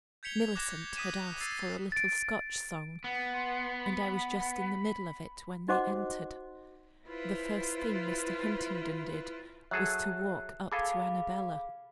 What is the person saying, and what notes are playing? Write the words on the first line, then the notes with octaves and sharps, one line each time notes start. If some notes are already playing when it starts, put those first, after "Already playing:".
Milicent had asked for a little Scotch song, and I was just in the middle of it when they entered. The first thing Mr. Huntingdon did was to walk up to Annabella.
G6 G#6 B6 C#7 F7 G7
D6 F#6 G#6 A#6 E7
D#6 B6 D#7 E7
E6 A6 C7 D#7
A6 D7
B3
C6
B5
B5
D#4 F#4 C5 D#5 F#5 D6
E4 F4 B4 C5
F#3 G#4 A4 E5 F#6
G#4 A4 F5 B5 D6